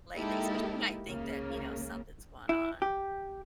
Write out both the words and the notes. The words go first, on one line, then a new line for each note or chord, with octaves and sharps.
lately, so she might think that, you know, something's going on.
G#3 A#3 D#4 E4 G4 A4
C#2 C#3 A#3
E4
G4